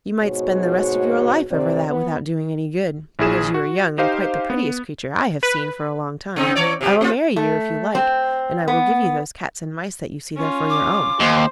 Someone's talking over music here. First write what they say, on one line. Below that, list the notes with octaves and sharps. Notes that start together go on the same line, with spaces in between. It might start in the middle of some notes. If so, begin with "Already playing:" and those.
'You might spend the rest of your life over that without doing any good, but as you are young, and quite the prettiest creature I have seen for a long time, I will marry you if you like, and I will give you those cats and mice that you see there for your own.
G#2 B2 F#4 C#5
F2 C3 C4 D5
B3
A#1 E4 G#4 E7
F#4
D#4 G4 C5 F5
B3
B4
C#3 C4 D#4
E3 C#5 D5
C3 G4
C4 F4
A3
C4
B3
C#4 F4
D6
D#2 C5